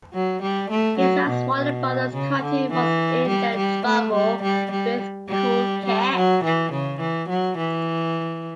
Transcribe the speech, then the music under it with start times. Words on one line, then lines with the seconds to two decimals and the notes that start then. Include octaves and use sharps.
His last Warner Brothers cartoon was "Injun Trouble" with Cool Cat.
0.14 F#3
0.42 G3
0.71 A3
0.99 F#3
1.28 B2
1.56 B2
2.14 C#3
2.42 D3
2.71 E3
3.28 G3
3.57 G3
3.86 A3
4.14 G3
4.43 G3
4.72 G3
5.29 G3
5.86 G3
6.15 F#3
6.44 E3
6.72 C#3
7.00 E3
7.29 F#3
7.58 E3